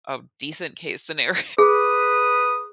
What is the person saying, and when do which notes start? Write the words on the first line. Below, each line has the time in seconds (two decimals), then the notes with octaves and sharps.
a decent case scenario
1.58 G#4 B4 D#6